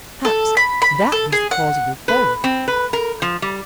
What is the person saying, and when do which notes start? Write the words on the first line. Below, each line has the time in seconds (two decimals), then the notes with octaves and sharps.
Perhaps that was the cause of their quarrel.
0.25 A4
0.57 B5
0.82 B5
1.12 A4
1.32 G#4
1.51 F#5
2.08 B4
2.44 C4
2.68 B4
2.93 A#4
3.22 F3
3.42 G3